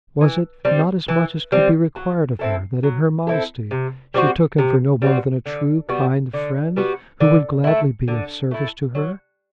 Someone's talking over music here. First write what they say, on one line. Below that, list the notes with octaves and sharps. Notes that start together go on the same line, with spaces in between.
Was it not as much as could be required of her, that, in her modesty, she took him for no more than a true, kind friend, who would gladly be of service to her?
E3
G3 C4
E3
G3 C4
F#3
C4 E4 A4
F#3
C4 E4 A4
C3
G3 C4 F#4
C3
G3 C4 F#4
D3
G3 B3 F#4
D3
G3 B3 F#4
D3
A3 E4
D3
A3 E4
F#3